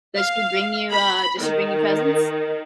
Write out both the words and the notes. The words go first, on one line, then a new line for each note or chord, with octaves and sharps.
Does she bring you, uh, does she bring you presents?
F5
B5
D#3